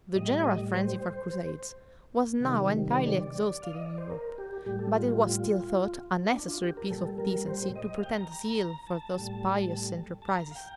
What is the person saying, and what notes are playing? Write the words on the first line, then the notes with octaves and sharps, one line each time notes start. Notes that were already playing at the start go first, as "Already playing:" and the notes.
The general frenzy for crusades was now entirely exhausted in Europe; but it was still thought a necessary piece of decency to pretend zeal for those pious enterprises.
A2 G3 D#5
D5
D#5
C5
C3 D#3 G3
C5
D5
F5
D#5
D5
C5
A#4
G4
A2 G3 G4
A4
F4
F4
D4
F4
G4
A#4
A#2 G3 A4
A#4
C5
D#5
F5
G5
A#5
A#5
A#5
A#5
A5
A2 G3
A5
A#5
F5
G5